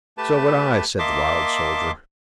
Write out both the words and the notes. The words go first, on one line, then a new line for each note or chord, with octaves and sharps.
"So would I," said the loud soldier.
A3 G4 B4 A5
A#3 D#5 E5 A5 C6 D6